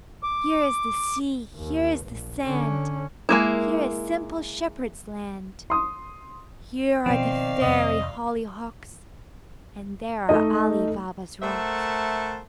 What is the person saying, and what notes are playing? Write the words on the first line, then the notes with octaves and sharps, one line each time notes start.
Here is the sea, here is the sand, Here is simple Shepherd's Land, Here are the fairy hollyhocks, And there are Ali Baba's rocks.
D6
D#2
A#1
D3 C#4
G#3 A#3 E4
C6 D#6
B2 D#3 F3 C4 D5 F5
F2 C3 D#5
A3 D#4 D#5
A3 A#4 C5 E5 F#5 A5